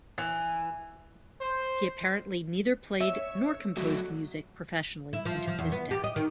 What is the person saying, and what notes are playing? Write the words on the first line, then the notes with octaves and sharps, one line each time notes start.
He apparently neither played nor composed music professionally until his death.
E3
C5
C#5 E5
F#3 A3 F#4
E4
F3
F3
E2
B3
G4
D#5
D#3